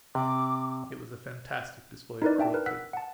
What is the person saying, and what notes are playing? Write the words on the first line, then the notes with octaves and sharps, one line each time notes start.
It was a fantastic display of cruelty.
C3 D6
D#4 E4 A#4 B4 D5
D4 E5 G5 A5
A#4 B4
F#5 E6 F#6 B6
F#5 A5